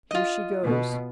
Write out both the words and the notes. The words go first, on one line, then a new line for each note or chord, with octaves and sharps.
Here she goes!
F4 D#5
B2